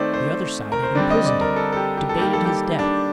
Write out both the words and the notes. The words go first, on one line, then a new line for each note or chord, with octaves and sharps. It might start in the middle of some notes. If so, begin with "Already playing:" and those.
The other side had imprisoned him, debated his death.
Already playing: D#3 A3 C4 C5 D5
C5
A#4
C5
D3 G3 C4 D5
D#5
D5
A#4
A4
A4
G4
G4
A4
D#3 G3 A#3 G4
A4
G4
D4